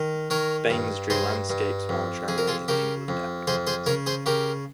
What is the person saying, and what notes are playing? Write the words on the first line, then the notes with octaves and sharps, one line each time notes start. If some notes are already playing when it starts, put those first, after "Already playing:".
Baynes drew landscapes while traveling in England and Wales.
Already playing: D#3
D#3 A#4 C#5
G2
G2 G#4 C5
G2
F2
F2 G#4
A#4
F4 G#4
C#3 G4 A#4
F2
F2 G#4 C5
G#4 C5
C#3 A#4 C#5
G#4 C5
C#3 G4 A#4